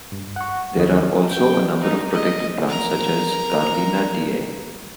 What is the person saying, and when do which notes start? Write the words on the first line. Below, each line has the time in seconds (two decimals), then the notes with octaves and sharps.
There are also a number of protected plants such as Carlina diae.
0.12 G2
0.36 F#5 C#6
0.78 D#2 D#3 E4 D#5
1.29 G5
1.81 D#4
2.12 D#5
2.66 A#4 A#5